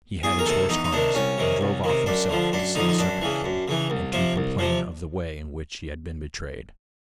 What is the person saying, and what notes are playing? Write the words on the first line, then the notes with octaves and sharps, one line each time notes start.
He had his horses harnessed and drove off himself to see the Serpent King and to complain of the way in which he had been betrayed.
E2 G#4
A#4
C3 D#3 A4
E2 D#4
D#4
C3 D#3 D4
C2 C#4
C3 D#3
C2
C3 D#3
F#2 D4
D3 F3
F#2 D4
D3 F3 D#4
D#4
F#2 D4
C#3 E3
F#2
C#3 E3
C2
C3 F3
C2
C3 F3